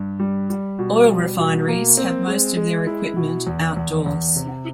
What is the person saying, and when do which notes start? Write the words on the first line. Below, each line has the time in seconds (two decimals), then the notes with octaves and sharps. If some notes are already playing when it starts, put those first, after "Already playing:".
Oil refineries have most of their equipment outdoors.
Already playing: G2
0.19 G3
0.50 G3
0.79 B2
1.09 G3
1.38 B2
1.68 A#3
1.97 C4
2.28 G#3
2.57 G#3
2.87 E4
3.16 B2
3.47 E2
3.76 E2
4.06 E2
4.36 C3